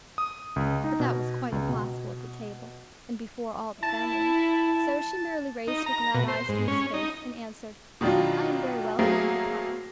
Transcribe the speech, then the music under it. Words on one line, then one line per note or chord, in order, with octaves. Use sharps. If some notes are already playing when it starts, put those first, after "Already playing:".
But that was quite impossible at the table, and before all the family; so she merely raised her glad eyes to his face and answered, "I am very well, thank you, papa."
D#6
C#2
D#4
B2
C#2
B2
E4 A5
D#4
A#5
B2
C5
G#2
C#4
D#4
B2 D#3 F#3 D4 F4
F#3 A3 A#3 C4 G#4